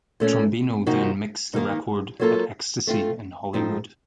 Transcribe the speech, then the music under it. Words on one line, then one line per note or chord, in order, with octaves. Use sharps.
Trombino then mixed the record at Extasy in Hollywood.
A#2 A3 C#4
C3 F3 A#3 D#4 F#4
D#3 A#3 D#4
F#3 A#3 F4 A4
A3 C4 F4
A2 F3 C4 D#4